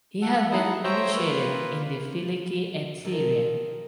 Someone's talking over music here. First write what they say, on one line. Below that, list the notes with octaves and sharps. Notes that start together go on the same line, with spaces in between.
He had been initiated in the Filiki Eteria.
A4 F#5
D#4 E4 D#5 F#5 A5
C5 C#5 E5 G5 A#5
A#3 F4 B4
A#2 D#3 A4 A#4